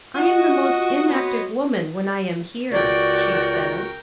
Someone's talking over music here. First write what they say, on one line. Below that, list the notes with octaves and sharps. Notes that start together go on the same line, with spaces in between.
"I am the most inactive woman when I am here," she said.
F4 F#4 D#5 F#5 D#6
B3 F#4 C#5 D#5 C6
C#2 F#4 A#4 D5 G5 C#6